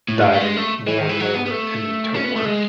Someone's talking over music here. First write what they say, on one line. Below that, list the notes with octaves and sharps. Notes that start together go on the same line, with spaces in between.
diving more and more into work
A2
A3
G#3
A3
G#3
A3
E3
D#3
E3
F#3
B3
B3
A3
C#4
B3
A3
G#3